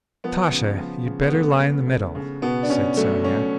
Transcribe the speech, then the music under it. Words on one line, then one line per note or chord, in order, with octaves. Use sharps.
"Natasha, you'd better lie in the middle," said Sonya.
F3 B3
C#3
F3
C#3
B3
C#3 A3
C#3
C#3
C#3
B2 B3
D4
B2 C#4
F#3 A3
F#3 C#4